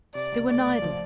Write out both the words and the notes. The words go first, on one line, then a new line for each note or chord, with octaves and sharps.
They were neither.
C3 D5
C#2
A3 D5
C#2
F3